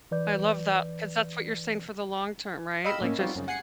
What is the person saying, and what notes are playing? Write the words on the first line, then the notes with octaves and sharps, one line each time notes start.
I love that, 'cause that's what you're saying for the long term, right? Like, just
E3 B4 D5 G6
D#5 F5 G5 B5 E6
A2 A#3 C#4
G3 C4 D#4 F4 F#4
F#2 C#3
F#5 G#5 F#6 C7 C#7